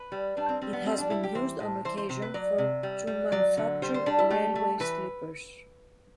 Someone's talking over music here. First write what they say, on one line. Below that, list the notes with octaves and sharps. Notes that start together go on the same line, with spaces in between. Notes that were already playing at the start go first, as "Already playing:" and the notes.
It has been used on occasion for to manufacture railway sleepers.
Already playing: B4
G3
G3 D4
C4
G3 C4
B3
G3 C4
D4
G3 E4
G4
E3 C5
A2
E3 C5
C5
C3 C5
B4
F#3 D5
C3
G3
G3
F#3 D5
D3
G3 C5
C5
G3 D4
E4
A3 G4
A3
E3 B4